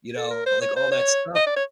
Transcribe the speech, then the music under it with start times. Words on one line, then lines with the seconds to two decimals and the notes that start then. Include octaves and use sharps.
you know, like, all that stuff?
0.16 A4
0.31 A#4
0.46 C5
0.61 C#5
0.76 C5
0.91 C#5
1.36 D#5
1.46 D5
1.56 C#5